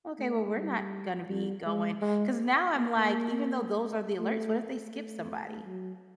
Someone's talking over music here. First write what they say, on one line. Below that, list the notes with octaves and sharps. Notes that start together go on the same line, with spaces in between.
Okay, well, we're not gonna be going 'cause now I'm like, even though those are the alerts, what if they skip somebody?
A3
G3
G3
G#3
G#3
A#3
A3
A3
F#3